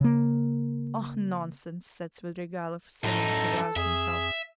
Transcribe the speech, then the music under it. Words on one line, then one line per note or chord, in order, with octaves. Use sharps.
"Oh, nonsense," said Svidrigailov, seeming to rouse himself.
C#3 A#3
F#2 A2 D#4 A4
F2 G#4 E5